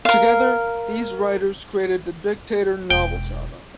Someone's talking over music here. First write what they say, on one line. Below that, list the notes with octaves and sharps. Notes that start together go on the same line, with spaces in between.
Together, these writers created the Dictator novel genre.
A#4 F5
E1 G5